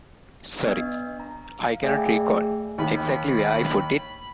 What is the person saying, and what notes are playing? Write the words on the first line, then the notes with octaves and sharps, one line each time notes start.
Sorry I cannot recall exactly where I put it.
B3 D4 D#5
A#5
F5
A3 G#4 D5 E5 G5 G#5
D#2 D#3 B5